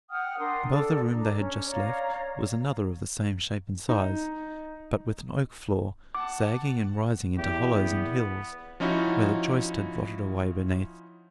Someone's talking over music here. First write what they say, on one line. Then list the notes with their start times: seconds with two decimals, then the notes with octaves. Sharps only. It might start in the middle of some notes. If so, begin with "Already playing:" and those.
Above the room they had just left was another of the same shape and size, but with an oak floor, sagging and rising into hollows and hills, where the joist had rotted away beneath.
0.10 F#5 G5 D#6 F6
0.39 D4 A#4 C6 D#6
0.71 A4 D5
1.12 D4 A#5
1.39 C#4
1.69 C#5 D5 F5 A#5
3.89 D#4
6.15 F#5 A5 D6
7.38 E2 G4
7.75 B3
8.80 F3 C#4 D#4 E4 F#4